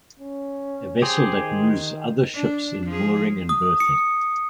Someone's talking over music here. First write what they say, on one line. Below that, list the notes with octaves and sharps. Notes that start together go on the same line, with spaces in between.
A vessel that moves other ships in mooring and berthing.
C#4
G4 G#4 C5
D#3
D4
F3 G#4
D#6
C#7